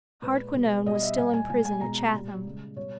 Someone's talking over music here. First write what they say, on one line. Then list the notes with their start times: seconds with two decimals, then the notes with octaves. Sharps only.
Hardquanonne was still in prison at Chatham.
0.22 A#2 G#3 B4
0.54 B2 G3
0.86 B2 G3 D#5
1.03 E5
1.17 A#2 G3 G#5
1.33 G#5
1.50 A#2 G#3 G#5
1.65 G#5
1.81 B2 G#3 A#5
1.97 A#5
2.14 A#2 G3
2.44 C#3 G#3
2.76 B2 G3 C#5